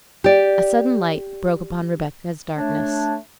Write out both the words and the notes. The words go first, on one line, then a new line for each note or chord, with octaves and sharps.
A sudden light broke upon Rebecca's darkness.
G4 D5
A3 D4 C#5